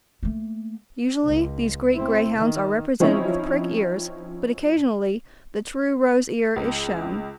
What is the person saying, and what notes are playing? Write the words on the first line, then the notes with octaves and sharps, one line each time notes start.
Usually these Greek Greyhounds are represented with prick ears, but occasionally the true rose ear is shown.
A3 A#3
C#2
C4 E4
D#3
F3 C4 C#4 D#4 E4 C#5
C#2